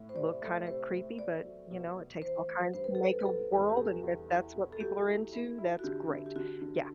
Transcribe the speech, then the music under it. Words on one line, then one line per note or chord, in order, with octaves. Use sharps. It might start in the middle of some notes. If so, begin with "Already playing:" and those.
look kinda creepy, but, you know, it takes all kinds to make a world, and if that's what people are into, that's great, yeah,
Already playing: A2
C5
C3 D5
A3
C3 C5
A3
B3 D5
F#3
B2
B2
E3 C5
A3
G2 C5
B4
A4
G2
B4
B4
B2 A4
E2
G4
B2 A4
E2
E4
B2
A4
F#3 G4
E4
E4
E4
F#4
D3 G4
D3
G4
D3 F#4
D3